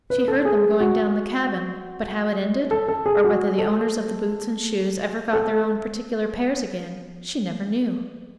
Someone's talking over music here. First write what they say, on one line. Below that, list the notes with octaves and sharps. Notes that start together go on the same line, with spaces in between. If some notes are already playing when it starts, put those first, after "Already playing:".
She heard them going down the cabin; but how it ended, or whether the owners of the boots and shoes ever got their own particular pairs again, she never knew.
B4
A4
G#4
F#4
A4
A4
G#4
F#4
A4
A4